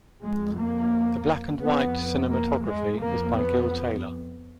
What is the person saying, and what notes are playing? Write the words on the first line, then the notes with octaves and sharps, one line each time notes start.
The black and white cinematography is by Gil Taylor.
F2 G#3
A#3
F2 B3
A#3
G#3
F2 A#3
B3